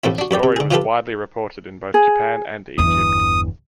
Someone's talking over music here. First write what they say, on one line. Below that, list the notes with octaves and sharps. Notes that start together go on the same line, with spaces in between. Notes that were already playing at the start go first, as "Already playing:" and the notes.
The story was widely reported in both Japan and Egypt.
A1 A2 A3 C4 E4
D4 F#4
F#2 B4 D5 G5
C3
D3 G#4
E3 F3 F4 G4 A4 B4
G#4
G1 E2 D#6